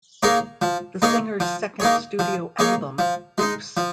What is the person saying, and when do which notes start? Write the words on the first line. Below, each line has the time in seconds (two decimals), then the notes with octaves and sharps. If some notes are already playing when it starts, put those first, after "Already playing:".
The singer's second studio album, Oops!...
0.23 A#3 D#4 G#4 C#5
0.62 F3
1.02 A#3 D#4 G#4 C#5
1.40 F3
1.80 A#3 D#4 G#4 C#5
2.19 F3
2.59 A#3 D#4 G#4 C#5
2.99 F3
3.38 G#3 D#4
3.77 F3